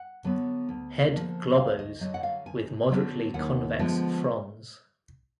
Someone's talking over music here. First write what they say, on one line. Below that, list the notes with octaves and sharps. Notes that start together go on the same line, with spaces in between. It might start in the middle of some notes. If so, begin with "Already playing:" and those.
Head globose with moderately convex frons.
Already playing: F#5
D3 F#3 B3
D2
D3 F3 A#3
D2 F5
D#5
D3 F#3 D#5
F#5
F5
D2 G#5
D3 F#3 B3
D#2 F#5
D3 F3 G#3 B3